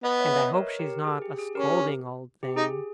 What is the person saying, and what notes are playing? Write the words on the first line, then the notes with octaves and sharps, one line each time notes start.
And I hope she's not a scolding old thing!'
B3 B4 D#5
C#5 E5
E5
B4 D#5
A#4 C#5
G4 A#4
G#4
G4
G#4
C#4 G4 A#4
G4
D#4 G#4